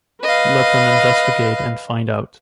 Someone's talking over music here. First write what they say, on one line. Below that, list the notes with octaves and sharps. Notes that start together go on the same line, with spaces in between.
Let them investigate and find out.
B4 D#5 F5